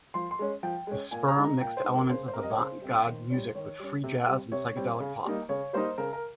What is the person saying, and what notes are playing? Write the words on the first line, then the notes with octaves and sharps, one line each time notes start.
The Sperm mixed elements of avant-garde music with free jazz and psychedelic pop.
F3 C6
C6
G#3 C#4
F3 G5
G#3 C#4
A#2 G#5
A#5
G#3 D#4
A#5
A#2 G5
C5
G#3 D#4
A#4
C#3 C5
C5
G3 C4 A#4
D#5
C#5
C#3 C5
G3 C4
D#3
G3 C#4
D#3 C#5
G3 C#4
C3
G3 C4
C3 C#5
G3 C4
C#3
G3 A#3 D#4
C#3 C#5
G3 A#3 D#4 C5
C#3 A#4
A#4